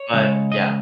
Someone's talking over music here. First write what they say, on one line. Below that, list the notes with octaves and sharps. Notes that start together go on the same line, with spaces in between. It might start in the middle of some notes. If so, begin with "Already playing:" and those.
but yeah.
Already playing: C#5
C#3 G#3
D#5